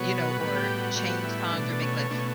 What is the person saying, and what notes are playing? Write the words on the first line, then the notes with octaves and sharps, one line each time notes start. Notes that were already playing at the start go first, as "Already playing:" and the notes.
you know, or change times or make like
Already playing: B2 F#3 B3 C#5
C#5
A2 G3 B3 B4
G4
F#4
A2 G3 B3 F#4
E4
B2 A3 D4
C#4
B2 A3 D4
C#4